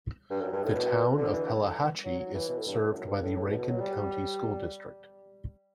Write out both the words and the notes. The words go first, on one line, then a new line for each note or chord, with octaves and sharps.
The Town of Pelahatchie is served by the Rankin County School District.
G2
F#2
G2
A2
B2
D3
E3
F#3
F#3
E3
B2
A2
G2
A2
F#2
G2
A2
A2
B2
B2
F#3
G3